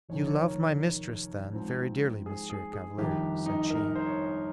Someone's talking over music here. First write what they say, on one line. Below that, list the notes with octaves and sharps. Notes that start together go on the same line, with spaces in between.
"You love my mistress, then, very dearly, Monsieur Chevalier?" said she.
F1 F2 D#3 C#5
C#5
A#4
G#2 F3 C4
G#4
G#4
G#4
G1 F2 D#3 G4
D#4
A#4
C5
C#5